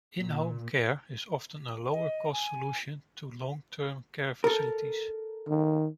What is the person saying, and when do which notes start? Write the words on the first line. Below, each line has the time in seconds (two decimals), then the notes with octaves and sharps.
In-Home Care is often a lower cost solution to long-term care facilities.
0.19 A#2
1.91 D#5
2.33 G#5
4.44 A4 A#4
5.48 D#3